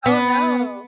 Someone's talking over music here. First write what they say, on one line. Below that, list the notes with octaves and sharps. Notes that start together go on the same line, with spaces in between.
Oh, no.
B3